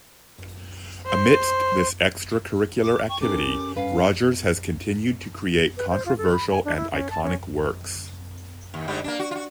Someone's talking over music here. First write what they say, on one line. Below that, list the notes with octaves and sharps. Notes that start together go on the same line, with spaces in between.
Amidst this extra-curricular activity, Rogers has continued to create controversial and iconic works.
C5
D6
G5 C#6
A3 C#4 G4 A#4 D6
G2 C#4 B4 F5
B4
C5
F4
A4
B5
G#5
D4
E4
C#4
A5
C#4
D#2
G#2 D3 G3
A#3 D4
F#4
F4 F#4